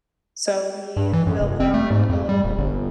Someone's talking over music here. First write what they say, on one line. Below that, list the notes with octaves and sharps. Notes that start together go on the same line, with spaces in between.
So, we will put on a little
G2
E3
F#2
F1
C4
A3
G#2
F2
G3
D#1
G1